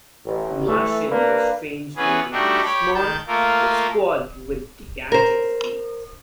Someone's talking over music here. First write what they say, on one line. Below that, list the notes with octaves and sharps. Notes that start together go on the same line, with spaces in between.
The Martian was strange-looking: small and squat with gigantic feet.
A1
E3 A3
A#3 D4 B4
E3 B3 C#4 G#4 B4
G3 A3 D4 D#4 F#4 G4
G4 C#5 G5 B5
D#3 A5 G6
A3 A#3 F4 A4 A#4
A#4 C5